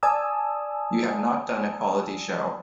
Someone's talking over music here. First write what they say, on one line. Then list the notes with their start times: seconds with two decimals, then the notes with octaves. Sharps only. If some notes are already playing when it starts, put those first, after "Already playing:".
You have not done a quality show.
0.03 D5 G#5 A5 D#6 E6